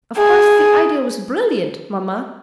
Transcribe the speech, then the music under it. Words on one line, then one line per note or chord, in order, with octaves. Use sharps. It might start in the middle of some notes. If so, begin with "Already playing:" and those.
Of course the idea was brilliant, mamma.
G#4